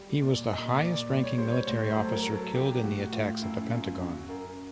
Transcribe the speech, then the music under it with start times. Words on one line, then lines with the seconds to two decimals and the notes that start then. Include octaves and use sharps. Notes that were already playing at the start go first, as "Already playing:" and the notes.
He was the highest-ranking military officer killed in the attacks at the Pentagon.
Already playing: G3
0.22 A#2 D5
0.51 A#2 D#5
0.80 A#2 D5
1.10 G3
1.24 C#5
1.38 G3 C5
1.52 C#5
1.67 A2 C5
1.90 C5
1.97 F#3 A4
2.12 A#4
2.26 F#3
2.33 A4
2.55 F#3 G4
2.84 A2 F#4
3.13 A2 F4
3.42 F#2 E4
3.71 F#2 F4
4.00 F#2 F#4
4.29 F#2 A#4